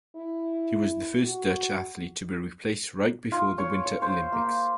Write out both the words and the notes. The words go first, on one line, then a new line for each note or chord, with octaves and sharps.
He was the first Dutch athlete to be replaced right before the Winter Olympics.
E4
F#4
F4
C#5
C#5
C5
A#3